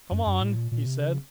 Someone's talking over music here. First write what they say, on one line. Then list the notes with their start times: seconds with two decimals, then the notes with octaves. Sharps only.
"Come on!" he said.
0.11 F#2
0.26 F#2
0.41 A2
0.56 A#2
0.72 A#2
0.86 C3
1.02 C#3